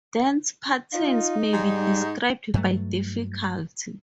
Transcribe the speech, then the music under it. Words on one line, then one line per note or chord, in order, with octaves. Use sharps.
Dance patterns may be described by difficulty.
D#4 F4
G#2 G3
G2 F#3 A3